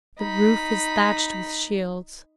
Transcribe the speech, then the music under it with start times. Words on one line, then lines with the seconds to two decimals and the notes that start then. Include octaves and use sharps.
The roof is thatched with shields.
0.19 D#4 B5